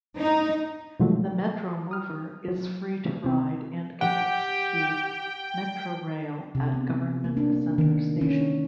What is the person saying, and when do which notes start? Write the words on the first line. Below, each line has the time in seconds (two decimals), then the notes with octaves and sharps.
The Metromover is free to ride and connects to Metrorail at Government Center station.
0.17 D#4
0.99 B2 D#3 F3 F#3 G#3 A3
1.91 D#6 F6
2.48 F#3
3.24 C3 C4
4.01 G4 F#5 G5
6.55 C3
6.74 B3
7.24 A#3
7.37 D4
7.53 D4
7.78 D#3
8.21 C#4